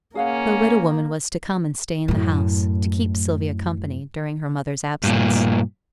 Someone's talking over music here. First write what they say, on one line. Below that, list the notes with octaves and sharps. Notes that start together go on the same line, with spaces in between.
The widow-woman was to come and stay in the house, to keep Sylvia company, during her mother's absence.
A#3 C#4 G#4 F5 F#5
F#2 A2
G2 A#2